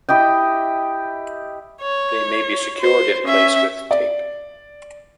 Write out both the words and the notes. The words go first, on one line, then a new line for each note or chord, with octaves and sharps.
They may be secured in place with tape.
E4 G4 D#5 G5
C#5
C5
C#4 E5
D5